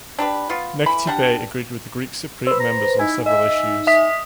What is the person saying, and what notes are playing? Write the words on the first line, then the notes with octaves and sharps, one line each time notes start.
Necati Bey agreed with the Greek Cypriot members on several issues.
D4 G4 B4
B3 F4
E3 B5
G3 D4 F#5
B4 C5 E6
A#5
D#4 E4 G#5
D#5 E5
E5 D#6 B6